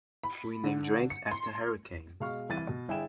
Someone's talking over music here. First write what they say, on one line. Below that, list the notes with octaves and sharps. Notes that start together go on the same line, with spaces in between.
We name drinks after hurricanes.
B5
D3
C#7
C6
B2 G#3 F5 C#6 F6
C2 E3 A6 D#7
B2
G1 E4 G#4 G5 E7